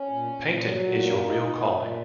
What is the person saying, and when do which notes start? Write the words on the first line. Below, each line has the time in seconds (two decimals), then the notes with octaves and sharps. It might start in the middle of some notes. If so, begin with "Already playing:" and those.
Painting is your real calling.
Already playing: C#4
0.09 A#2
0.32 A#2
0.55 F#3
0.79 A#2
1.02 A#3
1.25 D#4
1.49 A#2
1.72 A#2